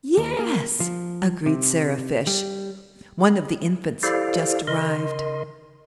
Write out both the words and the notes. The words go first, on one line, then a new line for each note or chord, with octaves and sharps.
"Yes!" agreed Sarah Fish, one of the Infants just arrived.
D#2
A#3
F3
C3
G3
E4 G4 A4 C5 D5 F5
C#3 A#4 D#5 C6